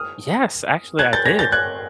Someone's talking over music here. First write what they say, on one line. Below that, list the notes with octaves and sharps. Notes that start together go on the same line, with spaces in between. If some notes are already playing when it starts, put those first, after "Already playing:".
Yes, actually, I did.
Already playing: D#6 F6
F#6 G#6
G6 A6
G#6 A#6
G6 A6
F#6 G#6